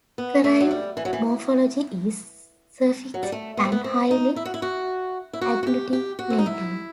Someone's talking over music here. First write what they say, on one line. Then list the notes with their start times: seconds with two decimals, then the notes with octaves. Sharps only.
Karaim morphology is suffixing and highly agglutinating.
0.18 B3
0.44 A3
0.60 F#3
0.71 G3
0.97 E3
1.05 F#3
1.13 E3
3.14 F#3
3.23 G3
3.32 A3
3.57 B3
3.65 C4
3.72 B3
3.84 C4
4.11 D#4
4.36 E4
4.45 F#4
4.54 E4
4.62 F#4
5.33 E4
5.41 F#4
5.63 F#4
5.67 G4
5.93 G4
6.19 F#4
6.30 C4
6.38 D#4
6.46 E4